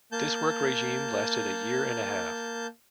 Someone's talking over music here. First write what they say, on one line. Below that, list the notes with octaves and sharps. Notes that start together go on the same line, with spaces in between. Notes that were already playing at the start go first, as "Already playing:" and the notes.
This work regime lasted a year and a half.
A#3 A5 G6